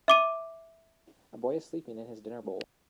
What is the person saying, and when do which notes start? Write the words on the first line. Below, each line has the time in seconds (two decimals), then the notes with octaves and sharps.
A boy is sleeping in his dinner bowl.
0.08 E5 D6 D#7